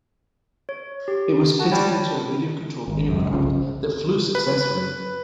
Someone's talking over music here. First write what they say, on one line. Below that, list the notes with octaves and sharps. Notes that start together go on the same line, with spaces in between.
It was fitted into a radio-controlled aircraft that flew successfully.
C#5
G4
F#4 A5
G3 C#5 D5 A5
G#1
C#2 F#2
G1 C2 C#3 F3
B4